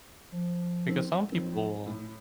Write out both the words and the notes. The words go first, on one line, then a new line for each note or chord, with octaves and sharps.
because some people,
F3
C4
F2 F#3 C4
A2